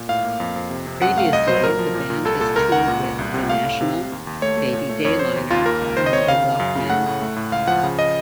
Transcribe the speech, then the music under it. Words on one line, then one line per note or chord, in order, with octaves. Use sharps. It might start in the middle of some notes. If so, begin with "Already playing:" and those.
Previously the band has toured with The National, Baby Dayliner, and The Walkmen.
Already playing: A#2
A2 F5
A#3
F2
F2
C3
C3
F#2 F#5
A3 F5
C2 D#5
F#3 C5
A#2 A#4
F3
A#2
A#2
C2 A4
A#2 A4
C#2 A#4
C#2 F#5
A#2
A#2
C2
C3
A3 F5
A2
C3
C3
D#2
D#2
A3 C#5
A3
A#2
A3
F2 C#5
F2 C5
D#2
D#2 F4
A#3 A#4
C#2
D#3 C5
D#5
D#3 C#5
C#3 F5
C#3
F#2
C#3
A3 F#5
A2
A3
A2
C#2 F5
F3 F#5
C#3
D#5